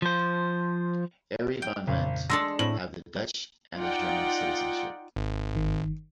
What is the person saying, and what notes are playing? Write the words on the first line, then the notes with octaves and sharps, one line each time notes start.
Arie van Lent have the Dutch and the German citizenship.
F3 C5
G5
G#1 F2 A#2 C#3
G#3 D4 A4 C6 E6 A#6
A2 C4 F#7
D#4 F4 D5 F#5 G5
G#1
G1 D#3